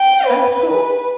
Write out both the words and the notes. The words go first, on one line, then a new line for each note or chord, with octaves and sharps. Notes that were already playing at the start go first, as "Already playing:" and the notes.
That's cool.
Already playing: G5
B4